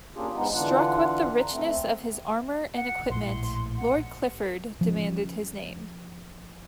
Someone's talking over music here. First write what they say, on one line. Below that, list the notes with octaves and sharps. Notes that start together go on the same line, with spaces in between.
Struck with the richness of his armour and equipment, Lord Clifford demanded his name.
A#3 C#4 D4 F4 G4 G#4
G#2 G#3 B3 D#4
D3 E3 D4 F4 F#5
D3 A#5
A3 C4
F#5
A#1 A2 C6
F#5
F3 C#4